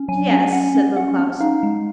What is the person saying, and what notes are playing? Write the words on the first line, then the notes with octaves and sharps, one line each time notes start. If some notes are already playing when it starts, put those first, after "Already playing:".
'Yes,' said Little Klaus.
Already playing: C#4
F#3 G#5
C#4 G#5
C#4 F#5
C#4
C#4 F#5
C#4
D#4 F5
G#3